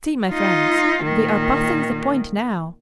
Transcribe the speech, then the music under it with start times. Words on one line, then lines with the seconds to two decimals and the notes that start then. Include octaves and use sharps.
See, my friends, we are passing the point now!
0.30 D#4 F4
1.04 A#2 D#3